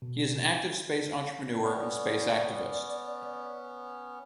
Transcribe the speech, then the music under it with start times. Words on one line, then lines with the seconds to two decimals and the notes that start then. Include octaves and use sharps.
He is an active space entrepreneur and space activist.
0.02 B2
1.63 B3 C#4 D5